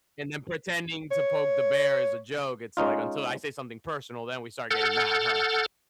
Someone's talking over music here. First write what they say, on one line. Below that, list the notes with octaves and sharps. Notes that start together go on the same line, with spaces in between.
And then pretending to poke the bear is a joke. It's like, until I say something personal, then we start getting mad, huh?
C#5
G#3 C#4 D#4 F4
A4 F#5 F6 G6 A6